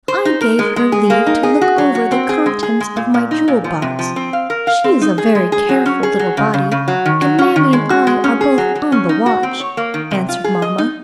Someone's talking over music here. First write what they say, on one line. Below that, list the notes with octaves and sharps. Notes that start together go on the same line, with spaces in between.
"I gave her leave to look over the contents of my jewel box; she is a very careful little body, and mammy and I are both on the watch:" answered mamma.
C5
D#4
A#4
G#3
G#3
G#4
A#3
D#4
G#4
F#4
F#3
F#4
C4
G#4
G#3
G#4
G#3
A#2
A#2
D#4
A#2
F3
C3
F3
C4
F5
A#4
F5
C4
D#4
G#4
G#3
G#4
F#3
C#4
G#4
F#3
C#3
C#3
C#3
F#3
D#3
F#3
C#4
D#3
G#3
F#4
G#3
C#4
G#4
F#3
F#3
C#4
D#4
F#4
C4
C#5
A#3
D#3
C3
F4
G#4
D#5
D#4